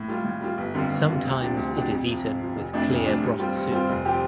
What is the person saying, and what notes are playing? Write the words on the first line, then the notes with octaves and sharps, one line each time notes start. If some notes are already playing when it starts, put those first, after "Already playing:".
Sometimes it is eaten with clear broth soup.
Already playing: A2
G3 F4
A2
G3 F4
G1
F2 D3 G3 F4
G1
F2 D3 G3 F4
D2
C3 F3 D4 G4
D2
C3 F3 D4 G4
F2
C3 F3
F2
C3 F3
F1
F2 F3 A3 D4
F1
F2 F3 A3 D4
G2
G3 C4 F4
G2
G3 C4 F4
F1
F3 C4 G4